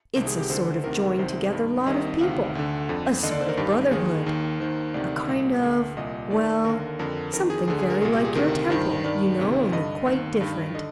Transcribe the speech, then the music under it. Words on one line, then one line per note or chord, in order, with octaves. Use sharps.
'It's a sort of joined-together lot of people--a sort of brotherhood--a kind of--well, something very like your temple, you know, only quite different.'
C2 C3 D#3 A#4
G#4
G4
D2 D3 C5
D2 C3 D#3 A#4
C2 C3 D#3 C5
G2 D#3
C2 C3 D#3 D#5
D2 C3 D#3 F5
D2 D3
F2 D3
D#2 D3 D#5
D5
C5
A#4
G2 D#3 G4
D#2 D#3 G#4
D#2 D#3
D#2 D#3 C5
D2 C3 D#3 D5
C2 A#2
D2 D3
C2 A#2 D#5
D#2 D#3 D5
D#2 D3 A#4
F2 D3 A#4
F2 D#3 A#4
G#4
D2 D3 G#4
G#4
A#4
C2 A#2 G#4
G4
G#4
D2 C3 D#3 A#4
G2 D#3 C5
G2 D#3 D5
D2 C3 D#3
G2 D3 D#5
D#2 D#3
G2 D#3
D3 D#5